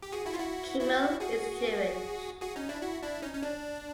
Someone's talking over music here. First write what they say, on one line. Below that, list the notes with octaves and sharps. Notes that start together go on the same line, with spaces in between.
Kimmel is Jewish.
G4
F#4 G#4
E4 F#4
F4
E4 F#4
E4 F#4
F#4 G#4
F#4 G#4
C#4 D#4
D4 E4
E4 F#4
D4 E4
C#4 D#4
C#4
D4